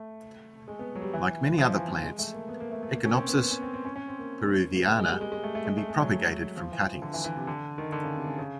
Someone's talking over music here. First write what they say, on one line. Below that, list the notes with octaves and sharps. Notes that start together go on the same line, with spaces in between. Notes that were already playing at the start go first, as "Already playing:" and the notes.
Like many other plants, "Echinopsis peruviana" can be propagated from cuttings.
Already playing: A3
G#3
B3
F#3
G3
E3
F3
E3
F3
G#3
A3
A#3
B3
A#3
A3
A3
A#3
C#4
C4
B3
B3
C#4
C4
C4
C#4
C#4
C4
A#3
A#3
G#3
G#3
G3
G#3
G#3
A3
A3
G#3
A3
G#3
F#3
F3
E3
D3
E3
E3
C3
D3
D#3
D3
C#3
C3
C#3
C#3